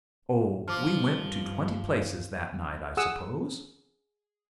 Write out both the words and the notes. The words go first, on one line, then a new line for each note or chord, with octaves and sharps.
O, we went to twenty places that night, I suppose!
G2 F3 D6 F6
G#4 F#5 D#6 E6